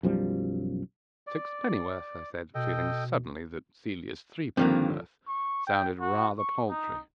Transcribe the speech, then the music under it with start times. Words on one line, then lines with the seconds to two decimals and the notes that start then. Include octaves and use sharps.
"Sixpennyworth," I said, feeling suddenly that Celia's threepennyworth sounded rather paltry.
0.03 B1 F#2 F3 G3
1.27 D5
2.55 B2 A4 D#5 G5
4.57 G2 D3 D#3 F3 A#3 C4
5.28 C#6
5.67 G5
6.00 F#4
6.38 C#6
6.70 D#4